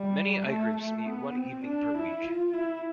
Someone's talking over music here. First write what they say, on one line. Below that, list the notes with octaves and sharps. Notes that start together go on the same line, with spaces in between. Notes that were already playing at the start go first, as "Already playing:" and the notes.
Many I-Groups meet one evening per week.
Already playing: G3
A3
A3
B3
C4
D4
E4
F4
E4